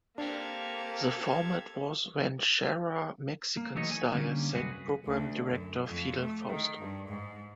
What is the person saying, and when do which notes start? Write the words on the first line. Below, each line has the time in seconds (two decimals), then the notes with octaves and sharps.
The format was "Ranchera Mexican style," said program director Fidel Fausto.
0.18 A#3 C4 D4 G4 A4 F5 G#6
3.57 A#3
3.75 E3 F#3 A3 D#4 C#5 D#5
3.91 G#5
4.15 D3 G3 A#3 C#4
4.54 C2 F#2 G#3 F#4 G#4 B4
5.06 D2
5.49 F#2
5.86 F2
6.19 A3
6.50 D#3
6.80 G2
7.09 G#2